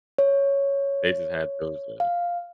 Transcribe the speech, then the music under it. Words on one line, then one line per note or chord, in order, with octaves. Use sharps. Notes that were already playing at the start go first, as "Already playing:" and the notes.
They just had those, uh
C#5
F5